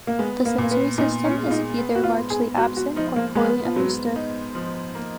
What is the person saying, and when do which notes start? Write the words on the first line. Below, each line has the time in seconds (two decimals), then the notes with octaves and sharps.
The sensory system is either largely absent or poorly understood.
0.07 A#3
0.19 G#3 B3
0.45 A#3
0.58 A#2 A#3
0.71 B3
0.98 A#2 D#4
1.25 C#4
1.38 G#3
1.46 F4
1.51 D#4
1.78 B3
1.95 F#4
2.04 F4
2.17 G#2
2.30 G#4
2.56 G#2 F#4
2.77 F#4
2.96 F3 D#4
3.16 A#3
3.35 G#3 B3
3.65 F3
3.76 G#2 F#3
4.16 D#4
4.55 F3
4.95 A#3